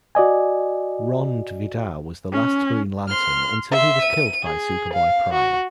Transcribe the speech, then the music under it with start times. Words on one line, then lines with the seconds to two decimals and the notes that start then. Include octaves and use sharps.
Rond Vidar was the last Green Lantern until he was killed by Superboy-Prime.
0.15 F#4 D5 D#5 G#5
2.32 C#4
3.08 C6 F6
3.71 E5 C6
4.01 D#7
4.43 G#4
4.93 F5
5.33 F#4